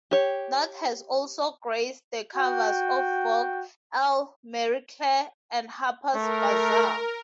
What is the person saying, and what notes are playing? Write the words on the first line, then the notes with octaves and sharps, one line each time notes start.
North has also graced the covers of Vogue, Elle, Marie Claire, and Harper's Bazaar.
G4 C#5
F#4 G5
A3 A#4